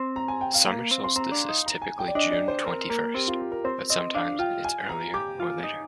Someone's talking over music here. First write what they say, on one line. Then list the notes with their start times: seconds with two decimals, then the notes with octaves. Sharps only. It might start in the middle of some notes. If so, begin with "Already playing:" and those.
Summer solstice is typically June twenty-first, but sometimes it's earlier or later.
Already playing: C4
0.16 A#5
0.28 G#5
0.41 G5
0.54 F5
0.66 A#3
0.91 C4
1.04 C6
1.16 C4 A#5
1.32 D4
1.49 D#4
1.66 A#5
1.82 G#5
1.99 G5
2.08 D5
2.15 D4 D#5
2.32 D5
2.48 C5
2.65 C4 A#4
2.89 A#3 A#4
3.15 C4 G4
3.28 F4
3.39 G4
3.52 A#4
3.64 C4 C5
3.90 C4 D#5
4.15 D4 F5
4.39 F4 G5
4.65 G#5
4.89 A#5
5.14 G4 D6
5.40 F4
5.64 D#4